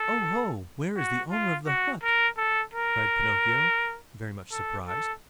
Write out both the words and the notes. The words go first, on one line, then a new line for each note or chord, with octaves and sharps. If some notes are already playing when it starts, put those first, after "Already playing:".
"Oh--ho, where is the owner of the hut?" cried Pinocchio, very much surprised.
Already playing: A4
F#4
F4
F#4
A#4
A4
A#4
A4
A4